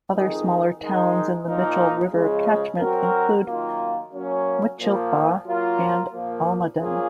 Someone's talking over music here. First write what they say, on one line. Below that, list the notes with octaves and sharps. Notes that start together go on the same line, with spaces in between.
Other smaller towns in the Mitchell River catchment include Mutchilba and Almaden.
F2 D#3 G#3 D#4 G#4
D#3 G#3 D#4
A#2 F3 A#3 D#4 A#4
C#3 F3 G#3
F#3 C4 F#4 A#4
F#2 D#3 A#3 F4
F#3 A#3 C#4
A#2 F3 A#3
F#3 A#3 F4 A#4
A#2 F3 A#3
F3 A#3 C#4 F4 G#4